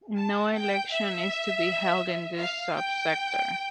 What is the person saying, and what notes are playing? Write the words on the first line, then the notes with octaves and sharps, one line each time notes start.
No election is to be held in this Subsector.
A5
G5
E5
F5
G5